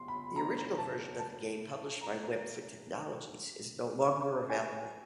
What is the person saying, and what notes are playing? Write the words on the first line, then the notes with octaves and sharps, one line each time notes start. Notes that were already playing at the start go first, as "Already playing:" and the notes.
The original version of the game published by Webfoot Technologies is no longer available.
Already playing: C6
B5
A#5
A5
A5
A#5
G#5